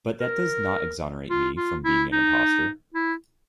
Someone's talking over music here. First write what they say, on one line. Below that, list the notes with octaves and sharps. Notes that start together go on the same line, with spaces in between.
But that does not exonerate me from being an impostor.
A#4
F4
F4
E4
D#4
E4